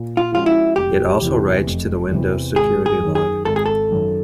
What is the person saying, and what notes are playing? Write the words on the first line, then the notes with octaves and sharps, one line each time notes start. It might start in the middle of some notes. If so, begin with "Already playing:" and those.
It also writes to the Windows Security Log.
Already playing: A#2
F4
F3 G#3 C#4 F4 F#4
E4
F1 G4
E2 C3 E3
F1
E2 C3 E3
G#1 G#4
G#4
F#2 D#3
G#4
G#1 A4
G#4
A4
F#2 D#3